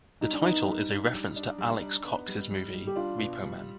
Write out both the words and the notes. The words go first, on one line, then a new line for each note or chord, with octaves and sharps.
The title is a reference to Alex Cox's movie "Repo Man".
G3 D#4
D4
B3 D#4
G3
D4
G3
D4
G3
D4
B3
G3
G3
G3
G4
D4 F4
B2
G3